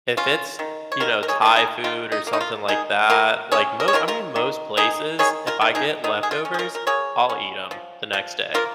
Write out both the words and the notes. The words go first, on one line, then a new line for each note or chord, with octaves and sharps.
if it's, you know, Thai food or something like that, like, mo I mean, most places, if I get leftovers, I'll eat 'em the next day.
C#4 F4
D#3
C#5
D#3 F4 A#4
A#4
G#4 C#5
D#3 F4
D#4 G#4
D#3 F4
D#4
A#3
D#4
F4
D#3 D#4 G#4
A#3 F4 A#4
C#4 G#4 C#5
A#4
C#5
D#3 F4 A#4
F4 A#4
D#3
D#3 D#4 G#4
D#3 G#4 C#5
F4 A#4
D#3
D#4 G#4
D#3 D#4
G#4
F4
C#4
G#4
F4 A#4
A#4
A#3 G#4 C#5
C#4
F3
F3
A#3 F4 A#4